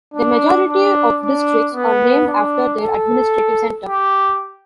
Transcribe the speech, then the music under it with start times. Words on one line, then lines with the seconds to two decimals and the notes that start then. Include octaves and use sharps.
The majority of districts are named after their administrative centre.
0.14 D4
0.67 D4
1.21 D4
1.74 B3
2.27 D4
2.81 A4
3.87 G4